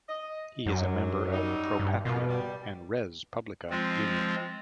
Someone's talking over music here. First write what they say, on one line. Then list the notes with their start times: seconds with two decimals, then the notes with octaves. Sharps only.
He is a member of Pro Patria and Res Publica Union.
0.09 D#5
0.66 F#2 D3 F#3
1.32 F#3 G3 D#4
1.79 G2
2.05 B2 A#3 D#4 F4
2.28 G3
3.70 F3 G#3 C4 F4